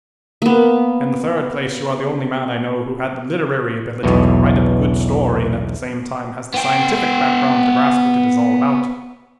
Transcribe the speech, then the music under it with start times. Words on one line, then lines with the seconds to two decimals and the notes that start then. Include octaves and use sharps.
In the third place, you are the only man I know who had the literary ability to write up a good story and at the same time has the scientific background to grasp what it is all about.
0.42 A#3 B3
4.03 B1 E2 B2
6.54 B3 G5